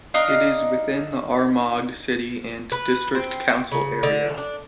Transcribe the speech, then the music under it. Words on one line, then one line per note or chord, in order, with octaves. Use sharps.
It is within the Armagh City and District Council area.
D4 D#4 D#5 F5
B4
C4
C#3
D3
D4